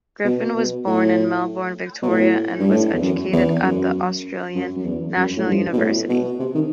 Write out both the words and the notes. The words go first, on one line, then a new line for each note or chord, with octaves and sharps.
Griffin was born in Melbourne, Victoria, and was educated at the Australian National University.
B2
B2
A2
B2
A2
G2
A2
E2
F#2
E2
F#2
F#2
F#2
E2
F#2
A2
G2
B2
A2
B2
C3
D#3